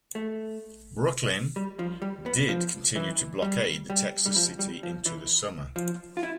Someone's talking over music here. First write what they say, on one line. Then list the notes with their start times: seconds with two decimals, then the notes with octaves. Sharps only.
"Brooklyn" did continue to blockade the Texas city into the summer.
0.15 A3
1.56 G3
1.79 F3
2.02 G3
2.26 B3
2.49 F3
2.96 E3
3.42 G3
3.90 G3
4.26 G3
4.36 F3
4.59 G3
4.83 F3
5.06 E3
5.76 F3
6.17 F4
6.23 E4